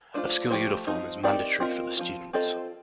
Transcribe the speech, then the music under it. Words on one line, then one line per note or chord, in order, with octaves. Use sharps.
A school uniform is mandatory for the students.
A3 D4 F4 C5
F3 A3 D#4 G4 C5
F3 C4 D#4
C4 D#4 G4 A#4 D5
C4 F4 A#4 D#5
F3 C4 F4
C4 F4 A4 C5 D#5